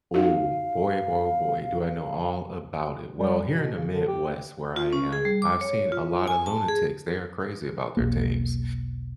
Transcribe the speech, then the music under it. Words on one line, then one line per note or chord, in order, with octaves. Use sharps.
Ooh, boy, oh, boy, oh, boy, do I know all about it. Well, here in the Midwest where I am, I've seen a lotta lunatics; they are crazy about their teams,
D#4 F#4 F5
G3
B2
C#3
D3
G4
F4
C#4
G#4
G3
D6
C#5
F4
G#5
A5
G#4
E1 B1 A#3